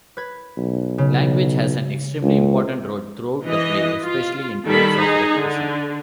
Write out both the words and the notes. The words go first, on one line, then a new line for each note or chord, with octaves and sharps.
Language has an extremely important role throughout the play, especially in terms of repetition.
B4 G#6
B1
C#3
C#2
E3 D#5
F4
D#3 G3 A4 B5
D#4 G#4
D3